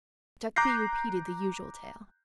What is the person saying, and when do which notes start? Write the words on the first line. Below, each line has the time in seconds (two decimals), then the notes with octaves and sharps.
Jacques repeated the usual tale.
0.56 A#5 D6 F#6 G6 A#6 C7